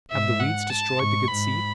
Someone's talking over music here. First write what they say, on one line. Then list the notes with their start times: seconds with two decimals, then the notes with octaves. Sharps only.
"Have the weeds destroyed the good seed?"
0.11 G#2 E5
0.40 F#5
0.70 A5
0.99 G#2 C#6
1.27 G#2 B5